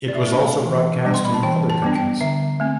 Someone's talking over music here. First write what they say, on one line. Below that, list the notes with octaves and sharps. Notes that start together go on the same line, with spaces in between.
It was also broadcast in other countries.
D5
E5
A3 D4
F5
E3
G3 B3 D4
C6
B5
A5
E3 G5
A5
G3 B3 D4
G5
D3 E5
A3 C4